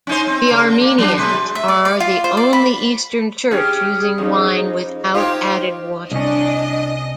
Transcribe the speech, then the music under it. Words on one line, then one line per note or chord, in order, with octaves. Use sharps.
The Armenians are the only Eastern Church using wine without added water.
C#4 D#4 C5
C4
C#3
A#3
F#3 D4
B2 G#3 B4
E5
D5
D5
F4
C5
D5
B5
C#4 G4 G#4
F2 C#4 D#4
D#4 F4 G4 C5 C#5
C2 C#4 D4 D#5